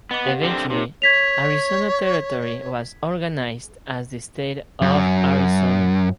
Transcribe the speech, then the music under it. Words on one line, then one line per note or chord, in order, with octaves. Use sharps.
Eventually, Arizona Territory was organized as the State of Arizona.
B3 D#5 D6
G4 F5 F#5
D3 C4 A#4
C3 D#4 C#5
C#5 G#6 B6 F7
F#2